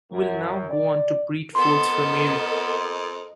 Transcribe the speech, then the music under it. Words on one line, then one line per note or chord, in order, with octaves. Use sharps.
Will now go on to breed foals for Mary.
F#2
D5
F2 B3 A4 A#4 D#5 C6